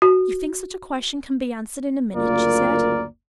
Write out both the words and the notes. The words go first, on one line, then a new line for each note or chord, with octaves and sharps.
"You think such a question can be answered in a minute," she said.
F#4
F#1 D2 A#3 F4 A#4 D5